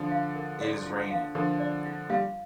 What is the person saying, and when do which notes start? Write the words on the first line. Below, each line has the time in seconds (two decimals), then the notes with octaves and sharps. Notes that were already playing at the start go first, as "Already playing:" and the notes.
It is raining.
Already playing: D3 F3
0.11 F5
0.36 A#4
0.61 D5
0.86 F4
1.11 F5
1.35 D3 F3 A#4
1.60 D5
1.85 F4
2.10 G3 F5